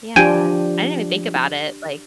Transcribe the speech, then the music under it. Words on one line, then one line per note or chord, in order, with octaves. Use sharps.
Yeah. I didn't even think about it. Like
F3 D4 G4 G5 G#5